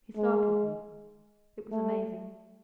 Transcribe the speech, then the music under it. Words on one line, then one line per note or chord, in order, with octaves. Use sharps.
He startled me. It was amazing.
G#3
A3